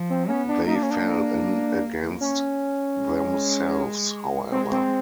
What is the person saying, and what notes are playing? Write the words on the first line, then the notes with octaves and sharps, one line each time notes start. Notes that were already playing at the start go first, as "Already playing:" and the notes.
They fell in against themselves, however.
Already playing: F3
C4
B3 C#4
D4
A#3 D#4
D4
C#4
D4
C#4
G#3
G#3 C4
C4